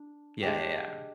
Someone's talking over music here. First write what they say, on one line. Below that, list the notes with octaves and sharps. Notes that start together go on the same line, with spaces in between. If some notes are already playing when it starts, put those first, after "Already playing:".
Yeah, yeah, yeah.
Already playing: D4
G#3 D4 G4